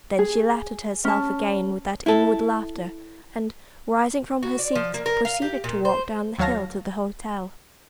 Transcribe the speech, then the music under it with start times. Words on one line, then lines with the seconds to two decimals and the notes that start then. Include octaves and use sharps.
Then she laughed at herself again with that inward laughter, and, rising from her seat, proceeded to walk down the hill to the hotel.
0.19 G#4
1.05 C#4 A5
2.06 E4 A4
4.43 F#4
4.59 D5
4.75 F3
4.94 A#3
5.06 A#4
5.25 F5
5.42 G4
5.64 A#2
5.85 C5
6.39 D#2 F#3 C#5 F5 A5 A#6